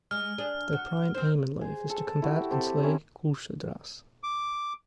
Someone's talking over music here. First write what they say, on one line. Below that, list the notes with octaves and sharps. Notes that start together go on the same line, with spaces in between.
Their prime aim in life is to combat and slay Kulshedras.
G#3 F6
D4 G#4
F#4
C4 C5
G#4 C5
A4
A4
E4 F#4 G4
C4 G4 A4 C5
C4 C#4 E4 A#4
D6